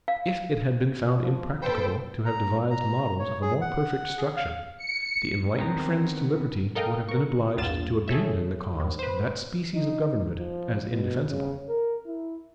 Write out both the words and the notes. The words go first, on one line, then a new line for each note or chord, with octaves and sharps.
If it had been found impracticable to have devised models of a more perfect structure, the enlightened friends to liberty would have been obliged to abandon the cause of that species of government as indefensible.
F5
F3
A#2 A4 B4 C5 G5
A#5
A#5
C#5
G#4
F#5
G#4
F5
C#7
D#3 B3 C4 A#5
A4 A#4 D#5 F5 G5
A#4 C#6
A#1 E2 G2 F4 A6 E7
G#4 A4 C#5 E5
D#2
B4 C5
D#4
F3
B2
C#3
A#4
E4